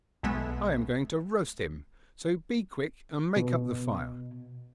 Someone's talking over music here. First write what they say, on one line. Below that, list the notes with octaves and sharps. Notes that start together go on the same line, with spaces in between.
I am going to roast him, so be quick and make up the fire!'
B1 G#3 A3 B3 E5
B2